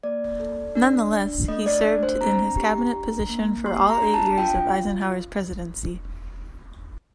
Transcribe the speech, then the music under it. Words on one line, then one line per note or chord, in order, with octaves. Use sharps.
Nonetheless, he served in his cabinet position for all eight years of Eisenhower's presidency.
A#3 D5
A4
D4
D4
A3 D#5
D5
D4
C5
C4 A#5
G4
D4
A#3
G4 C6
A#5
D4
A5
F4 G5